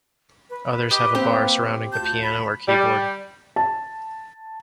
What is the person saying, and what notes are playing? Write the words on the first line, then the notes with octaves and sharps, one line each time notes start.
Others have a bar surrounding the piano or keyboard.
B4
G4 D#5
A#3 C4 G4
D2 F4 A5 G6
B5
G3
A5